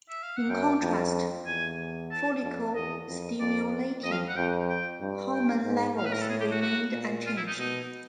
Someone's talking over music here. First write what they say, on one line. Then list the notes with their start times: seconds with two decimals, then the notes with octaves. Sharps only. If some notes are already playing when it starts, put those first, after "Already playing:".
In contrast, follicle-stimulating hormone levels remained unchanged.
0.09 E5
0.23 F5
0.36 F#5
0.49 F#2 G5
0.82 F2
1.46 E2 G#5
2.11 A5
2.43 F2
2.75 E2 D#5
3.08 F2
3.39 F2 D5
4.04 F2 D#5
4.12 F5
4.28 F#5
4.36 F2 G5
4.69 G5
5.01 G2
5.33 G5
5.65 G#2
5.97 A2 F5
6.05 B4
6.13 A#4
6.21 A4
6.29 G#4
6.40 G4
6.51 F#4
6.61 F#4
6.93 A#2
7.26 F4
7.37 E4
7.47 D#4
7.58 B2 D#4